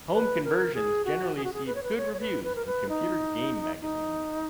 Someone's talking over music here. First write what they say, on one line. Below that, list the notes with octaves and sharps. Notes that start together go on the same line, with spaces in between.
Home conversions generally received good reviews in computer game magazines.
B4
A#4
G#4
F#4
G#4
F#4
G#4
B4
C#5
B4
C#5
C#5
B4
B4
A#4
B4
D#4
D#4